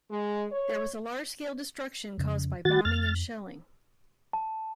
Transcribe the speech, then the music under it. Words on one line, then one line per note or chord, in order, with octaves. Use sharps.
There was a large-scale destruction caused by bombing and shelling.
G#3
C#5
F2 C#3
D#3 A3 F#4 A6
F2 F6 A6
A5